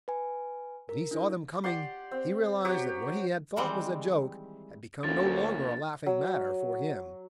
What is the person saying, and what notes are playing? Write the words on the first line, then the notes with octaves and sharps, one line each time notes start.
When he saw them coming, he realized that what he had thought was a joke had become no longer a laughing matter for him.
B4 G#5
A#4
D4 E4
G4 D5 F#5 C6
C4
F#3 F#4 G4
D#3 E3 G3 G#3 C4
D2 F3 A#3 C#4 A6
F#3